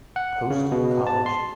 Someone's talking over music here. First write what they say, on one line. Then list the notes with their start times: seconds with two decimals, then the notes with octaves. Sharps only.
Post College.
0.16 F#5
0.50 C#3
0.72 B2
1.07 A5
1.26 C6